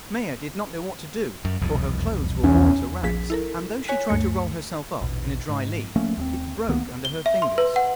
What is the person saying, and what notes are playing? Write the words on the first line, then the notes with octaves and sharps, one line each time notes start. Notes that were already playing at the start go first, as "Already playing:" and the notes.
Maia did not know what to do, for her clothes were worn to rags, and though she tried to roll herself up in a dry leaf it broke under her fingers.
F#2
E1 C2 F2
E2 C#4
A#1 F3 G#4 B6
E4 A4 A#4
C#5 G#5 F#6 B6
D2 G2 A3 C#7
A#1 E2 B2
G#2
F3 A3 A#3 C#4
D#2 G#3 C4
C#2 D#3 A#3 B3
G7
E5
C6
B4
F#5